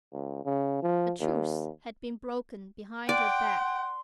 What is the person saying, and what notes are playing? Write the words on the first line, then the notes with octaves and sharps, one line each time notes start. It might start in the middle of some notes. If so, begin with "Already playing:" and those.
A truce had been broken behind her back.
C#2
C#3
F3
D#2
D5 F#5 G5 C6